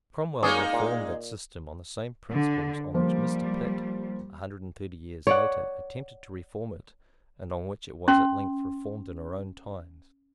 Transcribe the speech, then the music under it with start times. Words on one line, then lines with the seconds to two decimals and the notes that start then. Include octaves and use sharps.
Cromwell reformed that system on the same principles on which Mr. Pitt, a hundred and thirty years later, attempted to reform it, and on which it was at length reformed in our own times.
0.43 G#3 A#3 D#4 G#4 C#5 D5
0.73 A#2
2.31 D3
2.94 F3 G3 A#3 C5
5.27 C#5 D5 F#5
8.08 C#4 C6